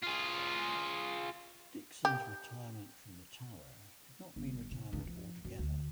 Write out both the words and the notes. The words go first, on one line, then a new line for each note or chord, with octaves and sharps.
Dixon's retirement from the Tower did not mean retirement altogether.
F4 G#4
G4
G1
C3
C#2
F3
F#2
D2